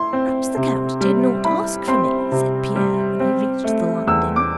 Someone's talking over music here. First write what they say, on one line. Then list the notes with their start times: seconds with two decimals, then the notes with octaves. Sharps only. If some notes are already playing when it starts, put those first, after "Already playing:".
"Perhaps the count did not ask for me," said Pierre when he reached the landing.
Already playing: E4 C6
0.13 C4
0.57 C3
1.01 G3
1.44 E4 B5
1.88 C4 C6
2.32 C3
2.76 G3
3.20 C4
3.64 A3
4.07 E2 E6
4.36 D6